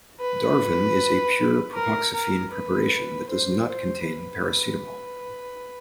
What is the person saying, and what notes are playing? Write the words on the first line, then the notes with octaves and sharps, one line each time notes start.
Darvon is a pure propoxyphene preparation that does not contain paracetamol.
B4
A#4
A#4
B4
C5
C5
B4